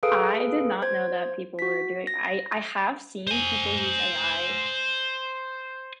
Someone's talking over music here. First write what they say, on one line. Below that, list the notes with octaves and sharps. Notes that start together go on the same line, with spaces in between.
I did not know that people were doing I I have seen people use AI,
G#4 A4 B4 F5 D#6 D7
C5 G#6
F#4 B6
A#6
C5 G#5